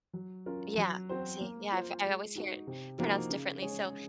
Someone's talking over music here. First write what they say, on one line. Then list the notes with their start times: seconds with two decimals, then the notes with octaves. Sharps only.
Yeah. See, yeah. I've I always hear it pronounced differently, so,
0.13 F#3
0.46 C#4 F4 A#4
0.77 F#3
1.09 C4 F#4 C5
1.41 A#3
1.72 F4 C5
2.04 G#3
2.35 D#4 F#4
2.67 C3
2.98 F3 A#3 D#4 F#4
3.30 C#3
3.62 G#3 C#4 G#4 C#5